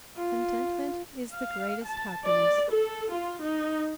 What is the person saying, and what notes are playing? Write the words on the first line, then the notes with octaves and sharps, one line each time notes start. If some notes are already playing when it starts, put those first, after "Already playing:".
"Contentment is the greatest happiness."
F4
F5
A5
D5
A4
F4
D#4